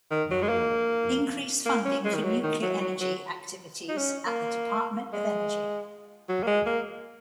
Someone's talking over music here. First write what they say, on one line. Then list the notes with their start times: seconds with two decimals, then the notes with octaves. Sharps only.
Increase funding for nuclear energy activities at the Department of Energy.
0.11 D#3
0.31 F#3
0.42 G#3
0.49 A#3
1.66 A#3
1.85 C#4
2.05 G#3
2.15 D#3
2.24 F#3
2.43 D#3
2.62 F#3
2.81 F#3
3.01 F#3
3.88 D#4
3.97 C#4
4.26 A#3
5.13 G#3
6.29 F#3
6.43 A#3
6.47 G#3
6.66 A#3